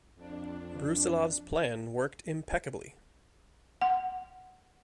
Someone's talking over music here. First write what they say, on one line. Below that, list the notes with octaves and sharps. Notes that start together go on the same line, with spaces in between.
Brusilov's plan worked impeccably.
F2 D4
F#5